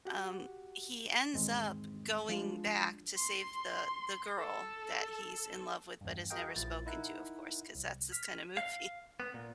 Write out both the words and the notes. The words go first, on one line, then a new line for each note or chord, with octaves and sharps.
Um, he ends up going back to save the the girl that he's in love with but has never spoken to, of course, 'cause that's this kind of movie.
F#4 G4 F#5
E2 G#2 D#3 G#3 C4
F3 G#3 D4 F4
C6
C6
A4
E2 G2
F#4 G#4 A#4 D#5 F5 G5
A#1 A#2 F3 A#3 E4 A6
D#4 E4 A#4 F#5
C2
F6 B6
F5
B3
A#2